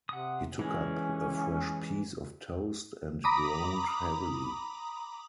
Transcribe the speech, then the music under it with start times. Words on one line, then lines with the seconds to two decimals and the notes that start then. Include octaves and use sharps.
He took up a fresh piece of toast, and groaned heavily.
0.09 C3 F#5 D#6
0.59 E3 G#3 C#4
3.24 A#5 B5 D6 D#6